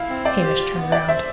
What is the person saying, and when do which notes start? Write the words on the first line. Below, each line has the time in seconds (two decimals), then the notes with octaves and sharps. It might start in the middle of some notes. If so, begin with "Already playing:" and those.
Hamish turned round.
Already playing: E4 F5
0.09 C4
0.25 C5 D5
0.42 G4
0.58 F4
0.76 B3
0.91 D5 G5
1.08 C5 E5